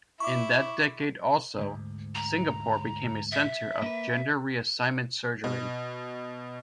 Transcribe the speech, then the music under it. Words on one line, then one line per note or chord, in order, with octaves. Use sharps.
In that decade also, Singapore became a centre of gender-reassignment surgery.
E4 C#6 D6
D2 G#2
A#5
E5
A#3 A#4 B4
B2